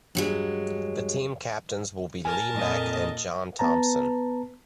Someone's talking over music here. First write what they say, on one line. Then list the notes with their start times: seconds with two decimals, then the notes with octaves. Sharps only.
The team captains will be Lee Mack and John Thomson.
0.15 G2 F#3 G#3
2.25 A#4 G#5 A5
2.56 F2 A#2 D#5
3.59 B3 B4 A5 A#5